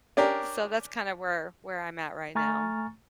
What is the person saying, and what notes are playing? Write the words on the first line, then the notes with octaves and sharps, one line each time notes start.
So, that's kinda where where I'm at right now.
C#4 D4 G4 A#4
A3 G#5 A#5 C#6 F6 A6